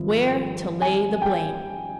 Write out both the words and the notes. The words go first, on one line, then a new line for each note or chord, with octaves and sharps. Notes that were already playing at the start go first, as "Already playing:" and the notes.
Where to Lay the Blame.
Already playing: G#1 G2 F3
G#5
G5